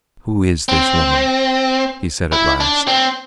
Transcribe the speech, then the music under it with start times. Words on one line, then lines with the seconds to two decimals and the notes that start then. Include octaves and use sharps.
"Who is this woman?" he said at last.
0.69 C4
2.33 E4
2.60 D4
2.88 C4